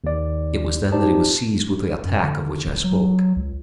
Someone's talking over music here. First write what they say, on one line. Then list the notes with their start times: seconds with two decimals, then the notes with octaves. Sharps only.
It was then that he was seized with the attack of which I spoke.
0.04 D#2 D5
0.92 D#4 G4 C5 D5 A5
2.05 F#2
2.23 D3
2.67 D1
2.84 F#3
3.36 C#2